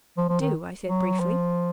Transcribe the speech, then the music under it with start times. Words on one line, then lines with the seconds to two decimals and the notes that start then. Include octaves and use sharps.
"Do," I said briefly.
0.17 F3
0.29 F3
0.41 D#3
0.87 F#3
1.20 F3